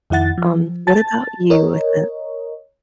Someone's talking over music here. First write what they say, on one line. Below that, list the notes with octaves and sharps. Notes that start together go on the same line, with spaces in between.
Um, what about you with it?
F2 D#3 E4 F#5 A6
F3
A5 A6
A#4 C#5 D#5